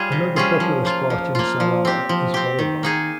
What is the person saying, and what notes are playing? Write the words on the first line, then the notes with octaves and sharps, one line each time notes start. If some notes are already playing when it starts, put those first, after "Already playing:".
Another popular sport in Salalah is volleyball.
Already playing: G3 F4 G#4
C3
G3 C#4 F4 G#4
F3
A#3 F4
F3
A#3 F4
F3
C4 G4
F3
C4 G4
D#3
A#3 D#4 G#4